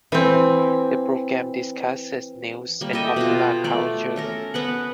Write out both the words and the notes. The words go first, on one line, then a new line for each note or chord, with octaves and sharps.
The program discusses news and popular culture.
E3 C4
G3 A#3
G4 A4 D#5 E5
B2 F4
A3 D5
C#4 A4 A#4
B3 B4 F#5